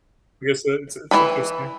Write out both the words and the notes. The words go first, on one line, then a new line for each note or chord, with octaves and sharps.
I guess it's it's interesting.
E3 C#4 B4 B5